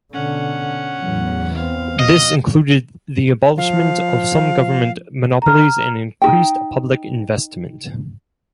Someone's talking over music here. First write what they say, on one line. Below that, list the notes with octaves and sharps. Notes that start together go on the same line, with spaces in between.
This included the abolishment of some government monopolies and increased public investment.
B2 D3 C#4 F#5
E2 A2 F#3
B3 C4 F5
B2 F3 D#5
F3 F5
A#5 F6
D#4 F#4 G5